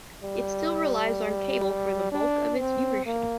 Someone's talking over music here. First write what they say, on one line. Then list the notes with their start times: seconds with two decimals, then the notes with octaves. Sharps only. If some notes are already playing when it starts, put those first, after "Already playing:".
It still relies on cable for the bulk of its viewership.
0.23 G3
2.11 D4
2.59 C4
3.06 A#3